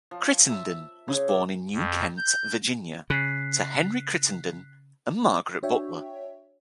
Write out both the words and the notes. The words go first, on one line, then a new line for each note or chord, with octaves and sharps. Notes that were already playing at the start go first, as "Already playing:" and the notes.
Crittenden was born in New Kent, Virginia, to Henry Crittenden and Margaret Butler.
F3
E5
C#3
D5
F2
G6
C#3 F#6 B6 C7
D4 F#4 C#5 E5 G5